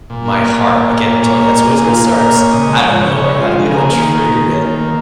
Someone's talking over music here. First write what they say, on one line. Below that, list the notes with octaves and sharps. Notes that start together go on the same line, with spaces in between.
my heart again, I'm telling you, that's always where it starts. Out of nowhere, I don't even know what triggered it, it
A#2
A#3
A#2
A#3
A#2
A#3
A#2
A#3 C#5
A#2
A#4
A#3
G#4
A#2
A#3 F4
A#2
A#3 A#4
A#2 C#5
C#3 D#5
G#3
C#5
F3
C#3 C#5
C#3 C#5
G#3
F4
F3
G#4
C#3
A#4
A#3 G#4
D#3
G#4
A#3
D#3 D#4
A#3
D#3
A#3